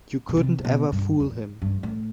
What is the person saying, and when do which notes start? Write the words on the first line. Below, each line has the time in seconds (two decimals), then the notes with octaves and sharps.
You couldn't ever fool him.
0.29 B2
0.37 C3
0.59 C3
0.65 B2
0.92 G2
1.20 E2
1.62 G2
1.83 A2